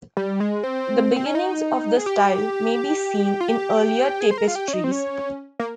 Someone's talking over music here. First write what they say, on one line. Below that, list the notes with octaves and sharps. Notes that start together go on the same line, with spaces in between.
The beginnings of the style may be seen in earlier tapestries.
G3
G#3
C4
C4
C#4
D#4
G#4
G4
F4
G4
G#4
C5
A#4
F4
G4
C#4
D#4
C4
C#4
A#3